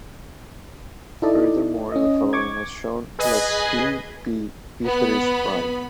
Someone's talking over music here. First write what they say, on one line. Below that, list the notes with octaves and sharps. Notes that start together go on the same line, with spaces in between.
Furthermore, the following was shown: Let "p" be a Wieferich prime.
D#4 E4 A4 D5 D#5
C#4 D#5
C#6 D6 G#6
G#4 B4 D#5 G#5
B3 B5